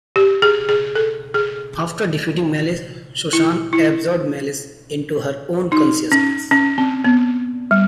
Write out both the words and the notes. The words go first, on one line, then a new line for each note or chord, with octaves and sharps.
After defeating Malice, Susan absorbed Malice into her own consciousness.
G4
G#4
G#4
A4
G#4
E4
E4
D#4
C#4
C#4
C4
B3
G3